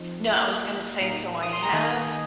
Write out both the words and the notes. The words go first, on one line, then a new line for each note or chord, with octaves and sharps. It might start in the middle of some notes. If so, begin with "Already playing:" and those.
No, I was gonna say, so I have
Already playing: F2 F3 C4 D#4
A#2 A#3 D#4
A#2 A#3 D#4
D#6
C6
A#5
D#3 A#3 D#4 D#5 G#5